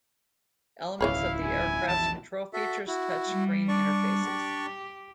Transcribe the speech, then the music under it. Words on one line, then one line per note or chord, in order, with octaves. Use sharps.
Elements of the aircraft's controls feature touchscreen interfaces.
D1 B1 C#3 E3 E4 C#5 F5 B5
G#5
B1 F2 E3 A5
F#4 A4 E5
E4 F#4
G3
D4 D5 C#6
G4